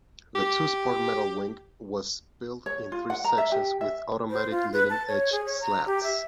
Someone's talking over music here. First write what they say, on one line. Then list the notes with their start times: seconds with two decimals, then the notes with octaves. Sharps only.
The two-spar metal wing was built in three sections with automatic leading edge slats.
0.35 G4
2.66 C#5
2.92 F4
3.10 F#5
3.25 A#5
3.38 E5
3.52 G4
3.81 E5
4.31 C5
4.51 F4
4.73 B4
4.90 A5
5.08 C#5
5.32 G#4
5.46 C#5
5.61 A#5
5.86 G4
6.03 E5